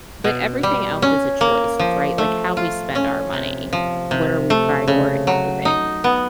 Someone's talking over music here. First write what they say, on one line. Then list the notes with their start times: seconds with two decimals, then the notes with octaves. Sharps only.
but everything else is a choice, right, like how we spend our money. What are we prioritizing?
0.24 B2
0.63 G3
1.02 C#4
1.41 A#3
1.79 F3
2.18 A3
2.57 F4
2.95 C#4
3.33 C3
3.73 F3
4.11 C3
4.50 A3
4.88 C#3
5.27 F#3
5.65 D#4
6.04 B3